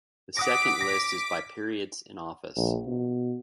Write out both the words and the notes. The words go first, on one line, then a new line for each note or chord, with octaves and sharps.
The second list is by periods in office.
F#5 D6 D#6 A#6 B6
A#6
A#1
B2